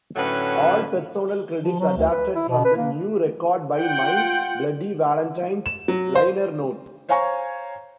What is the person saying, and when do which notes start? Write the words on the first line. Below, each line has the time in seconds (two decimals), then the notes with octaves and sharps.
All personnel credits adapted from "The New Record by My Bloody Valentine"s liner notes.
0.16 A2 D3 F#3 A3 C#4 B4
1.61 F3
1.79 F#3
1.97 D2
2.10 B4
2.35 E4
2.49 B2
2.65 B4
2.77 A#3
3.78 F4 F#5 G5
5.66 E7
5.88 F#3
6.15 C5
7.09 C5 C#5 F5 G#5 A#5 C#6